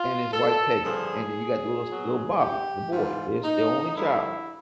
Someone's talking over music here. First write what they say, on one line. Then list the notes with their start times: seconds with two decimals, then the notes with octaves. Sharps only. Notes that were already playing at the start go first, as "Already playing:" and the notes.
and his wife, Peggy, and then you got the little s little Bobby, the boy. There's their only child.
Already playing: F4
0.32 A4
0.83 G2 D3 F3 G#4
1.88 B2 F#3
2.40 G4
2.91 G#2 E3 F4
3.44 D#4
3.95 G2 D3 F3 E4